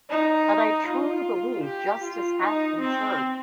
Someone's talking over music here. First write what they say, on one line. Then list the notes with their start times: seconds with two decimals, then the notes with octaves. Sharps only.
But I truly believe justice has been served.
0.10 D#4
0.87 F4
1.64 G4
2.04 F4
2.43 D#4
2.81 C4